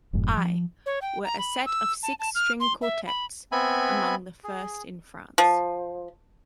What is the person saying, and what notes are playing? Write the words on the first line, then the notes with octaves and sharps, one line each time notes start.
I, were a set of six string Quartets, among the first in France.
F1 F2 G#2 B2
F3
C#5
G5
A#5
B5
E6
A5
A5
F6
C6
E5
B5
B3 C4 E5 G#5 B5
G#4
F3